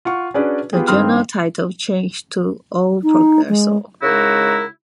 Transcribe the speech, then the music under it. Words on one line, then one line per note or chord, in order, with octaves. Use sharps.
The journal title changed to "O Progresso".
F4 F#5 C#6
C#4 D4 F#4 G#4 B4 D5
B3 F4 G4 G#4
G2 D#3 C4 C6 D#6 F6
D#4
G#3
C#3 G#3 D#4 E4 F#4 A#4